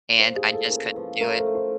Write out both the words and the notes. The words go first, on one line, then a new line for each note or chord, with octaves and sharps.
and I just couldn't do it,
A#3 C5
G#4
F4
A4
C#4 A#4
F3 B4
A3 A#4
C5
A3
C5